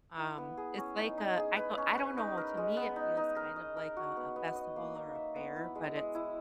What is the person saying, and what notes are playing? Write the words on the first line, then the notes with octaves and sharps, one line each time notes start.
Um, it's like a I go I don't know, to me, it feels kind of like a a festival or a fair, but it's
E4
B3
G#4
C#4
D#4
D#4
G#4
B4
C#4
B4
D#4
A#4
G#3
B3
D#4
D#4
A#4
D#5
A#4
F#4
B3
B3
D#5
A#3
D#4
E5
B3
E4
G#3
G#3
E4